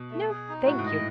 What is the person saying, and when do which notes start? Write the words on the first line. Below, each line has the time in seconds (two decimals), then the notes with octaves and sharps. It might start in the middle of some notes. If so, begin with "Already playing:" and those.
'No, thank you.
Already playing: B2
0.11 A3
0.30 G#4
0.49 D#4
0.66 A2 F#4
0.79 G#2
0.86 D#5
0.91 A2